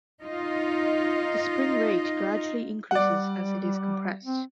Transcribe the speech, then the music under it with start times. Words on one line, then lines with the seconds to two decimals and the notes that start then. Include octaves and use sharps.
The spring rate gradually increases as it is compressed.
0.22 D#4 F4 D#5
2.91 G3 D5 F#5
4.24 C4